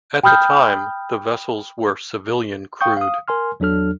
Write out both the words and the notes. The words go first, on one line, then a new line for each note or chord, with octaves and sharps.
At the time the vessels were civilian crewed.
G5 B5 D#6 F6 G6
F5 G5 C#6 D#6 G6
F5 D#6
A#4 G#5 C6 F6
E2 F#3 D4 A4 F6